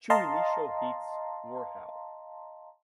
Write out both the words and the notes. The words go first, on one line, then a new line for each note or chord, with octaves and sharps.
Two initial heats were held.
D#5 F5 A5 A#5 C6